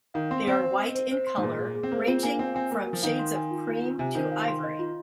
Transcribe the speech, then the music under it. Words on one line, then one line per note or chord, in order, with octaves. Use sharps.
They are white in colour, ranging from shades of cream to ivory.
D#3 F5
C4 C6
C4 C5
C5
D#5
C5
C5
C6
G#2
A#2 G#4
G#4
G#4
C4
A#3 C5
C4 F4
A#3 G#5
C4 F5
C4 G#5
A#3 A#4
A#4
F3
D#3 F5
C6
G#5
F4
F4
F4
C3 G#5
D#3 C5
F5
C6
D#5
F4